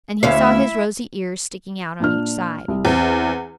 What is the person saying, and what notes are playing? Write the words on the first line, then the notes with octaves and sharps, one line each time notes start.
And he saw his rosy ears sticking out on each side.
D2 C#4 E4 E5 F5
A#2 D4 F6
C2
E2 C4